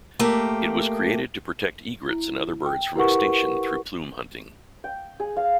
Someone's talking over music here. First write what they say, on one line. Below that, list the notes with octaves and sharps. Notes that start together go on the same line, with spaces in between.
It was created to protect egrets and other birds from extinction through plume hunting.
A3 A#3 G4
E4
G5
E4 G4 A#4 B4 F#5 C#6
G5
G#4
F5